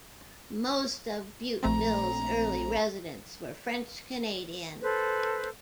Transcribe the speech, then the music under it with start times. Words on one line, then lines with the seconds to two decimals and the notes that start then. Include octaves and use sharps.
Most of Butteville's early residents were French-Canadian.
1.63 A#1 A3 C4 A#5
4.82 A4 B4 C5